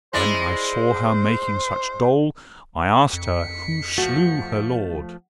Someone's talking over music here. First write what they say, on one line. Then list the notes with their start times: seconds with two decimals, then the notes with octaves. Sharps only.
And when I saw her making such dole, I asked her who slew her lord.
0.13 G#3 E4 C5 D5
3.13 F2 B6 C#7
3.98 F3 A3 F#4